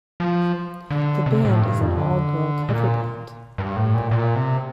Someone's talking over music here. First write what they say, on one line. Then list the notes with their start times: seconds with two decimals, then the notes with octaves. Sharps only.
The band is an all-girl cover band.
0.20 F3
0.91 D3
1.26 C3
1.45 A2
1.62 G2
1.81 F2
1.98 D3
2.69 A#2
3.58 G2
3.76 A2
3.94 A#2
4.11 A#2
4.35 C3